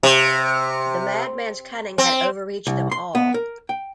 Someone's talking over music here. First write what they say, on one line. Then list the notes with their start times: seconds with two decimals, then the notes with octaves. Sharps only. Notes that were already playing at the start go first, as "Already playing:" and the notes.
The madman’s cunning had overreached them all.
0.03 C3
1.98 C4
2.67 C2
2.92 C6
3.15 B3
3.34 A#4
3.69 G5